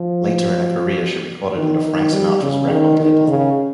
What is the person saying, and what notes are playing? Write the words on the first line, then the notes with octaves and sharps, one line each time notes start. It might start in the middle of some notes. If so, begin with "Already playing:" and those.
Later in her career she recorded under Frank Sinatra's record label.
Already playing: F3
D#3
D#3
G3
C#3
D#3
D#3
C#3